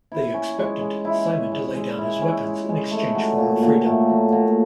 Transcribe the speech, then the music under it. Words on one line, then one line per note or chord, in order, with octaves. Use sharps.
They expected Simon to lay down his weapons in exchange for her freedom.
E4
C#4
G#3
G#3
E4
C#4
G#3
G#3
E4
C#4
G#3
G#3
A3
F#3
A#2
A#2
A3
F#3
A#2